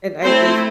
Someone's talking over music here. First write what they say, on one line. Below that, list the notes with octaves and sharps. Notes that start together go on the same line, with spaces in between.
and I just
A3 C4 E4 C5